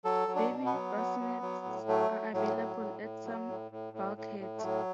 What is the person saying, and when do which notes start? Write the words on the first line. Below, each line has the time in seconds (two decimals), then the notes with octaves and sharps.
Baby bassinets are available at some bulkheads.
0.05 F#3 A4
0.28 F#3
0.36 D4
0.50 B2
0.66 B3
0.74 F#3
0.96 F#3
1.20 F#3
1.42 F#3
1.65 A2
1.88 F#3 A3
2.10 F#3
2.33 A2 F#3
2.57 F#3
2.79 A2
3.02 A2
3.25 F#3
3.48 A2
3.71 A2
3.93 A2
4.17 A2
4.40 A2
4.58 A3
4.63 A2 F#3